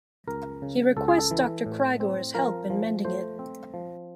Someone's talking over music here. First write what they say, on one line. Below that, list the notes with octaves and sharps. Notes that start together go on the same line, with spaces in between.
He requests Doctor Crygor's help in mending it.
C#2 A#4
C#3
C#2 A4
G#4
A4
E3
A2
C4
F3 A#4
F3
A3 C5
C4
F3